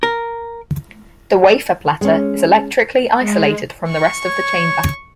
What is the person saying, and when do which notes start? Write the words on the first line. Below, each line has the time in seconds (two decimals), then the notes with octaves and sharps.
The wafer platter is electrically isolated from the rest of the chamber.
0.03 A#4
2.01 G#3 C#4
3.19 G#3
3.89 C#6
4.27 C#5